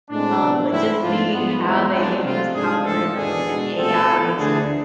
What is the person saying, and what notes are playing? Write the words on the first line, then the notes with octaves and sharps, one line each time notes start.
Um, but just seeing how they used algorithms and AI to
A2 G#3 C4 D4
C3 E3 B3
G#2 E3 A3 C4 E4
G#2 F3 B3 D4 F4
G#2 F3 G#3 B3
E2 B2 G#3 C4 E4
C2 C3 F3 G#3 B3 D4
C3 F3 A3 C4 F4
G#2 G#3 D4 G#4
G#2 E3 A3 C4 A4
E2 B2 B3 D4 G#4
B2 G#3 D4
C2 B2 A3 C4 A4
A2 F3 B3
D2 D3 A3 D4 G#4